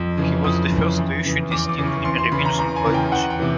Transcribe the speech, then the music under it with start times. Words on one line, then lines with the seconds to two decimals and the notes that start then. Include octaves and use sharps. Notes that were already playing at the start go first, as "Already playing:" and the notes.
He was the first to issue distinctly Merovingian coinage.
Already playing: F2
0.17 C#3 E3
0.44 F2 D#6
0.71 C#3 E3
0.97 E2
1.25 C#3 E3
1.51 E2 D6
1.69 D6
1.78 C#3 E3
1.87 C#6
2.05 E2 C6
2.18 C6
2.32 C#3 E3 B5
2.45 A#5
2.59 E2 A#5
2.76 G#5
2.86 C#3 E3
2.94 G5
3.12 E2 F#5
3.30 G5
3.39 C3 E3